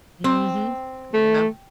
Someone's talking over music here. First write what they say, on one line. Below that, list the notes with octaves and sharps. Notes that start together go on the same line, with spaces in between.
Mhm, yep.
C4
A3